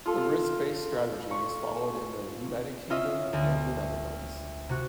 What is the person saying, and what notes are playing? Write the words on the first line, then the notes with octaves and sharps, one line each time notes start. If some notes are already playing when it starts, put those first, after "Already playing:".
The risk-based strategy is followed in the United Kingdom, and the Netherlands.
F4 A4
C#6
C#4 F4 D#5 E5
D2
C3 F#4